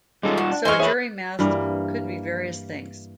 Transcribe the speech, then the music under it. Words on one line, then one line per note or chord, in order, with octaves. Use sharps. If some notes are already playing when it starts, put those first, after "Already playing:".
So a jury mast could be various things.
G3 G#3 C#4 D#4 F4 A4
F#4 C#6
D4
E3 G#4 C5 D#5 G#5 C#6 F6
G#4 B4 C#5 E5
G2 E3 G3 A#3